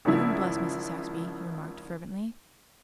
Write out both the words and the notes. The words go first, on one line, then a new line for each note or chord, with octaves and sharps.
"Heaven bless Mrs. Saxby," he remarked fervently.
G#1 G#2 C#3 F3 E4